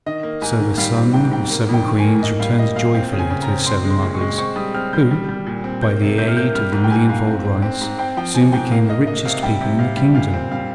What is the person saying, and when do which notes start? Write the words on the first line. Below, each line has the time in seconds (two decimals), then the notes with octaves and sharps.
So the son of seven Queens returned joyfully to his seven mothers, who, by the aid of the millionfold rice, soon became the richest people in the kingdom.
0.06 D#3 D#5
0.23 A#3
0.42 G#2 G#5
0.59 D#3
0.78 G3 F5
0.97 C4
1.13 G#2 G5
1.31 G#2 G5
1.51 A#3
1.69 F2
1.74 G5
1.87 D#3
1.99 G#5
2.04 A#3
2.22 A#3 D#5
2.40 G3 F5
2.58 A#3 D#5
2.76 A#2 F5
2.94 C4 F5
3.12 C#3
3.19 G#5
3.30 C#3
3.42 A#5
3.48 C4
3.66 C4 C6
3.84 G#3
3.90 C6
4.02 A#2
4.15 C#6
4.21 G#3
4.38 C4 C#6
4.56 G3 D#6
4.74 C4 F6
4.93 G3 G6
5.11 G3
5.28 G3
5.46 A#2
5.64 C4
5.82 A#3 G6
6.01 C3
6.18 C3 G6
6.28 F6
6.37 A#3 G6
6.55 G3 F6
6.72 G#2 F6
6.84 G5
6.90 G#2 G#5
7.09 G#2 F5
7.27 C4
7.45 C4
7.62 C4
7.81 G#2
7.99 C4 G5
8.17 F3 G5
8.35 F3 G#5
8.52 G#2 G5
8.71 A#3 F5
8.89 A#3 D#5
9.07 A#3 D#5
9.25 C3 F5
9.43 G3 G5
9.61 C3
9.79 C3 F5
9.97 G3
10.15 A#2 F5
10.34 C4
10.51 G3 F5